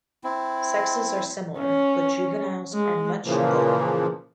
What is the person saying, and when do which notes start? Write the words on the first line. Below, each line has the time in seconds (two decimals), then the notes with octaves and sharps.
Sexes are similar, but juveniles are much duller.
0.24 C4 E4
1.59 C#4
2.73 G#3
3.25 A#2 C#3 E3 F3 A#3